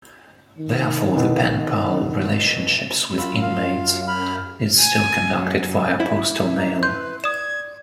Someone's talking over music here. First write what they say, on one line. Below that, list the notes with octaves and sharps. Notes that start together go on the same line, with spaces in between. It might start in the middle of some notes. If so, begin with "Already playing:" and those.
Therefore the pen pal relationships with inmates is still conducted via postal mail.
D#3
C2 B2 B3
F#2 F4 B5 E6
F4 F5
B5 F6
G#5
F#2
E4
A#5
B4 C6 G6
D5 D#6 G#6 E7